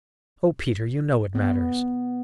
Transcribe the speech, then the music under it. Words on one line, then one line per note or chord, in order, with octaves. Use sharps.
"O Peter, you know it matters."
B3